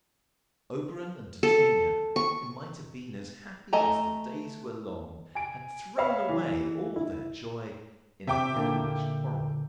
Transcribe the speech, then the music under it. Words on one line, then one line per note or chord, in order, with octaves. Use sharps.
Oberon and Titania, who might have been as happy as the days were long, had thrown away all their joy in a foolish quarrel.
A4
C#6
A3 D#5 G#5 A#5
G#5 D7
C#5 E5 F5 B5
E3
E4
C3 E5 G5 D6
A#2 D3 A#3